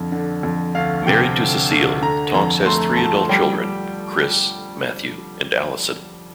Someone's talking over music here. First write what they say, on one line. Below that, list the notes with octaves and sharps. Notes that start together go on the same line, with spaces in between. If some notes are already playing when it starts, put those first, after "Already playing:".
Married to Cecile, Tonks has three adult children, Chris, Matthew, and Alison.
Already playing: F2 D3
D3
F2
D2 F5
C3 G5
D2
D2
D3 A#5
F2 A#5
A3 C6
F3 A5
G3 G5
G3